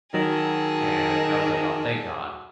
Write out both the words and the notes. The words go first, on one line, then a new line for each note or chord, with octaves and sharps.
and I was like, "Aw, thank god,"
D#3 F#3 G#4 A4